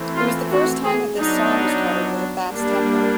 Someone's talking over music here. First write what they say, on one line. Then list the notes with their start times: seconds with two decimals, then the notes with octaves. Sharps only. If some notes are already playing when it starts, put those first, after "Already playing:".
It was the first time that this song was covered with a fast tempo.
Already playing: E3 A3 C4
0.16 F4
0.51 F#4
0.84 G#4
1.17 F#3 B3 D4 D#4
2.51 G3 A#3 D4